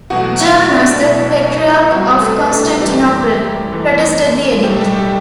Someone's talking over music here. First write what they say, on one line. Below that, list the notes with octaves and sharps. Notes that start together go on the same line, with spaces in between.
Germanos, the patriarch of Constantinople, protested the edict.
E2 B2 F#3 A3 F#4 F#5
E4 E5
D4 D5
B1 B2 A3 E4
E4
C2 C3 G3 F#4
B4
A3 A4
A3 A4
F#2 E3 G3 A3 G4
F#2 E3 A3
B1 A2 G3 G4
A4
G3 G4
G4